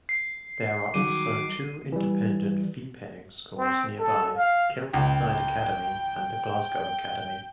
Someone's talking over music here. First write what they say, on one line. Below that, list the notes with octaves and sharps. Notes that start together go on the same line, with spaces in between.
There are also two independent, fee-paying schools nearby, Kelvinside Academy and The Glasgow Academy.
C7
D#3 F#3 D6 D#7
E3 G3
C4
A4
F5
C#2 G5